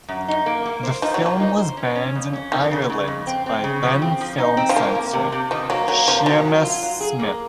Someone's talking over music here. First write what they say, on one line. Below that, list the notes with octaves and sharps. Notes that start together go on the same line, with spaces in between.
The film was banned in Ireland by then film censor Sheamus Smith.
F#2
D#4
A#3
A#3
C5
F3 D#4
F#3
F3 A#3
D#4
C5
C#4
C#4
F2
C#4
F2 D#3
C#3
C#3
F2
C4
C4
C#3
F3
C4
F3
D#4
C4
F3
D#3 A#3
A#3
C3
C3
D#3 F3
F#3 A#3
F#3 A#3
C3 F3
D#3 F#3
F#3
F4
F#3
G#4
A#3